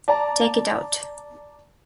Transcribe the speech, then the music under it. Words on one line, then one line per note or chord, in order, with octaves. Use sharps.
Take it out!
D5 A5 A#5